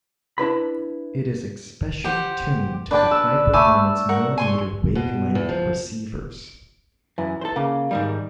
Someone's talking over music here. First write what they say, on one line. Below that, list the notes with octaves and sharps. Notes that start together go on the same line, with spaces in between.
It is especially tuned to the high-performance millimeter-wavelength receivers.
D4 E4 B4 B5
G4 C5 F#5
D4 B4 G5 A5 D6
E6
A3 G#5 B5 D6 E6
A#4 F#5 C#6
G#5 C6 C#6
B2
E2
F3
F#2 E3
A4 C5
C#3 A#3
G#2 D#3 G3